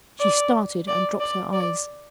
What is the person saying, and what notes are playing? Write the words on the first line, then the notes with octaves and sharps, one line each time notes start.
She started and dropped her eyes.
D5
D5
D5
D5